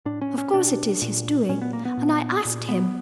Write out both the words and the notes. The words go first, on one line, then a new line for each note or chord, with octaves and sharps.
"Of course it is his doing--and I asked him!"
A2 D4
C#4
C#4
B2 D4
A#2
A#2 C#4
B3
A#3
B3
A#2
A#2
B3